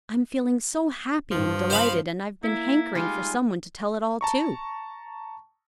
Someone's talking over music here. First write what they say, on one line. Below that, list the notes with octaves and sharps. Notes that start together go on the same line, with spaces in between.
I'm feeling so happy and delighted and I've been hankering for someone to tell it all to.
G2 F3
C5 F5 B5
A#3 E4
G3 G#3 D#4 F4 G#5
A5 A#5 C#6